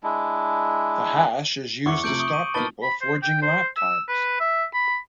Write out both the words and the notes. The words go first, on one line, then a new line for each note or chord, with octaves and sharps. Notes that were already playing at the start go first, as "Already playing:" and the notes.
The hash is used to stop people forging lap times.
G#3 D4 E4
E2 E4 F#5 C#6 D6 C#7
C3 F3 A3 G6 D7 F#7
C#6 D#6
C#6 D#7
A#3 D#4 B4 A5 A6 G7
B5
C5
G5
C5
E6
B4
E5
B5